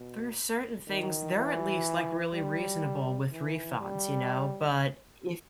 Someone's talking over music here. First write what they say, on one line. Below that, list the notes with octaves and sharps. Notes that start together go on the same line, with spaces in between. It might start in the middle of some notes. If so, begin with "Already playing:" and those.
there are certain things they're at least, like, really reasonable with refunds, you know? But if
Already playing: B2
D#3
E3
G3
E3
G3